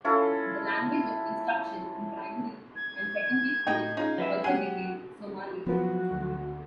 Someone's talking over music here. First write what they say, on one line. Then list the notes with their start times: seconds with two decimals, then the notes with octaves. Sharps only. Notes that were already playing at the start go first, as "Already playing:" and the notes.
The language of instruction in primary and secondary schools also became Somali.
0.04 C#4 E4 F4 A4
2.76 G#6
3.67 A2 D#4 D#5 G5
3.97 C#4 D#4 F4 G#4
4.18 F#3 B4 E5
4.44 F#3 G4 G#4 F#5 D#7
5.66 F3 F#3 B3 F4 F#4 B4
6.10 D2